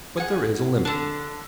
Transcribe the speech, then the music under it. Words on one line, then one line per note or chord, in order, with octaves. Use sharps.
But there is a limit.
G#4 F#5
D3 D4